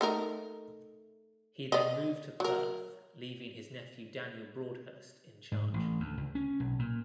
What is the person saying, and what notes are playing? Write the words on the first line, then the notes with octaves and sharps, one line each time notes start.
He then moved to Perth leaving his nephew Daniel Broadhurst in charge.
A3 D#4 A#4
D5 D#5
F#3 A#4
G#2
A1
D2
C#2
C#4
B1
A#2